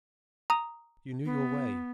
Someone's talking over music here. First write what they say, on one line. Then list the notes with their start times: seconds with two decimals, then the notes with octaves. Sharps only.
You knew your way.
0.50 A#5 D#6
1.25 B3